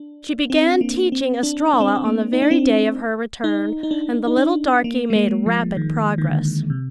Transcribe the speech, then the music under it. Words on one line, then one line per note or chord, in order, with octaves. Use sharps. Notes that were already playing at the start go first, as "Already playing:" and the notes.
She began teaching Estralla on the very day of her return, and the little darky made rapid progress.
Already playing: D4
C4
A#3
C4
D4
D4
C4
D4
A#3
D#4
D4
C4
D#4
D#4
D4
D#4
D4
A#3
G#3
A#3
F3
D#3
D#3
D3
C3